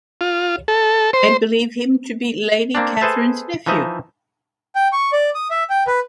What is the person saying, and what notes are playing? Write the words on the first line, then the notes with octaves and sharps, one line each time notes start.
I believe him to be Lady Catherine's nephew.
F4
A4
C5
A#3 C4 D4
G#4 A4 B4 C5 E5 A5
E3 F3 D#4 D#5 E5
G5
C#6
D5
D#6
E5
G5
B4